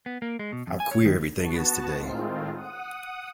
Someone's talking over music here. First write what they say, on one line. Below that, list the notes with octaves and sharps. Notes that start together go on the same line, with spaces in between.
How queer everything is to-day!
B3
A#3
G#3
B2
F2
G#5
C#5
D#3
B3 F#4 A5
A2 D#3 G#3 C4 F4
F#5 D#6